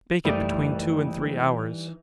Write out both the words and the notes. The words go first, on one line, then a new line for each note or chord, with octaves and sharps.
Bake it between two and three hours.
F#1 E3 G3 A3 D#4 D5